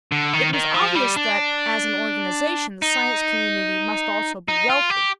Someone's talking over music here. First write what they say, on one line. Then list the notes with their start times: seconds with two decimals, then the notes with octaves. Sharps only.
It was obvious that as an organization, the Science Community must also be wealthy.
0.12 D3
0.33 D#3
0.53 D#3
0.74 F3
0.95 G3
1.16 D4
2.82 D#4
4.48 D#4
4.69 F4
4.90 G4